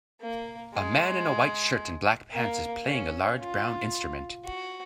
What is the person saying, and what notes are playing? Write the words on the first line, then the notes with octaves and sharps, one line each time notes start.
A man in a white shirt and black pants is playing a large brown instrument.
A#3
G#3
A#3
C#4
F4
F#4